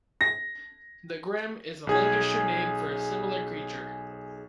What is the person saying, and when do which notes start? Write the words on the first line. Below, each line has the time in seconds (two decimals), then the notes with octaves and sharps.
"The Grim" is a Lancashire name for a similar creature.
0.21 A#6
1.87 B1 G#4 G#6